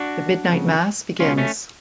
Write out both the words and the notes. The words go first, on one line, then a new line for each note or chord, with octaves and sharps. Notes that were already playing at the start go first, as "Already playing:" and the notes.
The midnight mass begins.
Already playing: D4 F#4
F2 C#3
C#2 B2 C#4 F4
A3 C#4